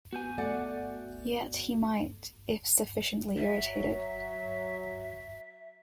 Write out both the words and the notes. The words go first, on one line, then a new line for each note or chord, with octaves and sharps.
Yet he might, if sufficiently irritated.
B3 F#4 G#5 G6
A3 D5 F#5
F#3 E5